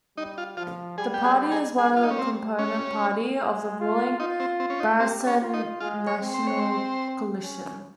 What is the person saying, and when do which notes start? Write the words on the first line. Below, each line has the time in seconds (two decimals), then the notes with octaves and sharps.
The party is one of the component party of the ruling Barisan Nasional coalition.
0.17 G3 D#4
0.38 F4
0.57 F3 F4
0.98 G3 G#4
1.14 G4
1.24 G#4
1.51 G#4
1.78 G3 G#4
1.96 F4
2.03 D#4
2.11 C#4
2.18 C4
2.59 C#4
3.39 G#3
3.80 F4
4.20 D#4 F4
4.40 C4
4.60 C4
4.70 C#4
4.80 D#4
5.00 C4 G4
5.27 C#4
5.41 F4
5.54 D#4
5.80 G#3 F4
6.07 C#5
6.21 C4
6.34 C5
6.47 C#5
6.59 C5
7.41 C#4